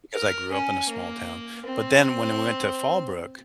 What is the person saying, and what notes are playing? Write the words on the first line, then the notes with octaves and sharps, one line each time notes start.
Because I grew up in a small town. But then, when we went to Fallbrook,
A#4
C#4
A#3
C4